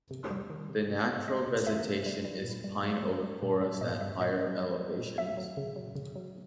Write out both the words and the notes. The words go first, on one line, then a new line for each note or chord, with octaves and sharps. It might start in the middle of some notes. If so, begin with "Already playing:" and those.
The natural vegetation is pine–oak forest at higher elevations.
C3
G3
D#3
C3
C3
C3
C3 D#5
C3
D#3 E5
C3
G3
G3
A#2
G3
G3
G3
G3
A#2
G3 E5
A#2 D#5
G3 E5
A#2 D#5
G3 D#5
G3
G3
A#2
F#3 E5
F#3
C#3
F#3
C#3
F#3